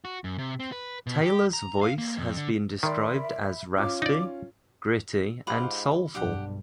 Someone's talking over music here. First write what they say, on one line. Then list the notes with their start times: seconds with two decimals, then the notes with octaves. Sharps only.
Taylor's voice has been described as raspy, gritty and soulful.
0.05 F#4
0.24 F#2
0.38 C3
0.60 C4
0.72 B4
1.07 B2
1.22 G4
1.53 A#5
1.81 F5
1.98 A#3
2.17 F2
2.37 D3
2.83 D#3 A#4 D5 E5 B5 C6
3.77 C#4 F4 C#5 D6
4.02 D#4 D5
5.47 G#2 F4 G4 F#5 B5
6.15 B1 G2 D4 G4 F#5